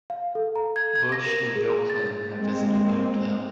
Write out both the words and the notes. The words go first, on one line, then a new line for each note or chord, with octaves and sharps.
Bush, and Bill Clinton have visited the hotel.
F5
A4
A#5
G#6
G#6
A#6
A#4
G#4
A6
G#3 A#3 C4